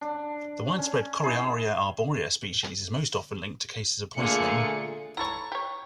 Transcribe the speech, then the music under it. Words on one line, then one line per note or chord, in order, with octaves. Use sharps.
The widespread "Coriaria arborea" species is most often linked to cases of poisoning.
D4
C#4
D#4 E4 G#4
A#2 D3 A3 F4 G#4 C#7
E4 A4 C#5 A#5 C#6
G4 C#5